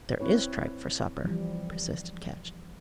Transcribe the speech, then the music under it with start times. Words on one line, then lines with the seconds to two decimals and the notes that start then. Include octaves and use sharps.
"There is tripe for supper," persisted Ketch.
0.20 C4 E4 B4 C#5
1.24 E3 F3 G3